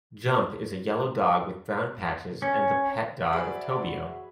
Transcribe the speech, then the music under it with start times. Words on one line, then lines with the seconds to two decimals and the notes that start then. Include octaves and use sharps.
Jump is a yellow dog with brown patches and the pet dog of Tobio.
2.42 C#4
3.33 F#4 G#4 C5 D5 E5 G#5 B5